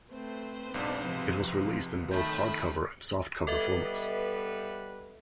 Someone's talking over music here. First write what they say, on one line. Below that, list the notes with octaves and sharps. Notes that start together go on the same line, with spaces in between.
It was released in both hardcover and softcover formats.
A3 C4 B4 C5
B1 G#2 D4
C3 F3
D#3 A3 B5 G6
G3 B3 A4 B4 D#5 E5